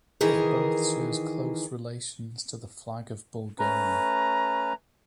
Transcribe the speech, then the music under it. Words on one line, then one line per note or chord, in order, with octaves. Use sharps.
It both shares close relations to the flag of Bulgaria.
D#3 E3 G#4 A#4
A3 C#4 B4 A#5